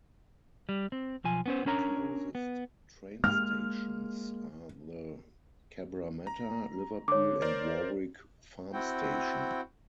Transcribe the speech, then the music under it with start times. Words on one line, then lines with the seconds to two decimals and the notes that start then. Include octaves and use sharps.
The closest train stations are the Cabramatta, Liverpool and Warwick Farm station.
0.69 G3
0.92 C4
1.24 B1 F3 G#5
1.46 B3 C#4 C5
1.66 C#4 D4 A#4 C#5 A#5
2.35 B3
3.24 G#3 A#3 F6
6.27 A#5
7.08 D3 C#5 D6
7.42 A#4 C5 D5
8.73 C4 E4 F#4 G5